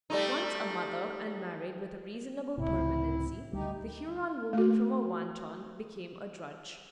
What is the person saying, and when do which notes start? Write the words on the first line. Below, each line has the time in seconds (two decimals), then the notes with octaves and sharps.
Once a mother, and married with a reasonable permanency, the Huron woman from a wanton became a drudge.
0.10 G3 A3 D#4
2.58 C#2 A2 C3 E4
3.53 D2 G3 D#4 G4
4.53 A3 F#4